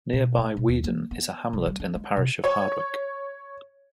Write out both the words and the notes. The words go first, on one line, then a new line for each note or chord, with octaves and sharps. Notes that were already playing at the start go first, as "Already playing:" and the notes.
Nearby Weedon is a hamlet in the parish of Hardwick.
B2
A3
B2
D#2
A#3
B3
C2
G3
D4
G#3
C3
C#5